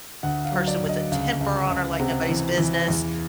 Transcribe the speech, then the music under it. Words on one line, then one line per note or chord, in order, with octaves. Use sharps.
person with a temper on her like nobody's business,
D2 F#5
F5
F#3
D5
D2
D#5
C#2 F5
C#2
C#2
C3 F#5
E3
E3
E2